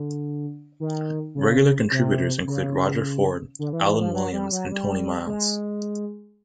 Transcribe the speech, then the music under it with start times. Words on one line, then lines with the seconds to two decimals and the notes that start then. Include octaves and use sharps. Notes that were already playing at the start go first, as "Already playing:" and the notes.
Regular contributors include Roger Ford, Alan Williams and Tony Miles.
Already playing: D3
0.80 D#3
1.35 C#3
1.92 C3
2.47 C#3
3.59 D3
3.73 E3
3.87 E3
4.00 F3
4.14 F#3
4.33 G3
4.52 F#3
4.71 G3
5.27 G#3